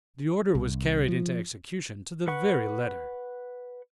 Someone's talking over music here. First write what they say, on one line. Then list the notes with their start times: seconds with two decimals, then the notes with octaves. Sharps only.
The order was carried into execution to the very letter.
0.55 C2
1.08 F3
2.28 B4 F#5 C#6